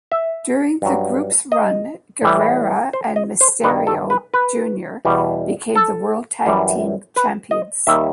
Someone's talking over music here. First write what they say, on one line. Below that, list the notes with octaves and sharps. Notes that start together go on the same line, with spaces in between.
During the group's run, Guerrera and Misterio, Junior became the World Tag Team Champions.
E5
G2 F#3
D#5
A2 E3 G3
C5
D#5
C5
G2 D#3 G3 B4
A4
B4
B4
E2 B2 G3
A4
F#2 E3 G3
B4
D#5
D#2 D#3 G3 E5